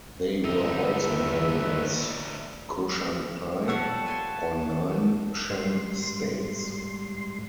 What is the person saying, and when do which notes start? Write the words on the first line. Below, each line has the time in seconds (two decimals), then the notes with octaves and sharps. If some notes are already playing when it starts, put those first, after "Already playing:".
They were also known as "Koshanpye" or "Nine Shan States".
0.45 G1 D2 A3 D#4 B4 E5
3.68 F3 G3 A4 C#5 F#5 A5 C#6 E6
4.06 B4 G#5 C6
5.50 G#2 G3 C6